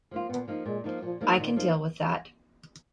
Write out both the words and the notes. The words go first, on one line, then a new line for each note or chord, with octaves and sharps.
I can deal with that.
F3 A#3 F4
A#2 B3
F3 A#3 D#4
A#2 G#3
F3 A#3 D#4
A#2 F3
F3 A#3 D#4
A#2 D#3
F3 A#3 D#4